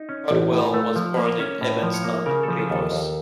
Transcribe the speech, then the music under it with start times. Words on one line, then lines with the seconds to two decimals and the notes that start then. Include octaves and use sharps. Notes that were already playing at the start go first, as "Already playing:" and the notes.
Podewell was born in Evanston, Illinois.
Already playing: D#4
0.09 C#4
0.31 A1
0.52 A2
0.74 A3
0.96 F3
1.17 A#3
1.39 C#4
1.61 A2
1.83 F3
1.94 C#5
2.04 A#3
2.26 C#3 A#4
2.43 A4
2.48 F3
2.59 A4
2.70 D#2
2.75 A4
2.92 D#2